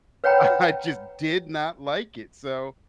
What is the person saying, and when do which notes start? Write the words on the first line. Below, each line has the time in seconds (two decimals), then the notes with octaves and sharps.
I just did not like it, so
0.24 B4 C#5 F#5 G5 A#5 B5